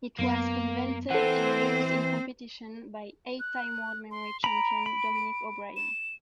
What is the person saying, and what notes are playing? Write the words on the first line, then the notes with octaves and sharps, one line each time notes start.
It was invented and used in competition by eight-time World Memory Champion Dominic O'Brien.
F#2 A#3 B3
E3 C4 A4 C5 F#5
F#6
C6
A#5 B5 D7
B5
E7